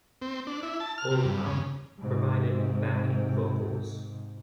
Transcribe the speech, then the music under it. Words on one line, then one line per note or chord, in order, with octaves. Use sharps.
Oldham provided backing vocals.
C4
D4
E4
A5
F6
C3
G2
C#3
G#2 C3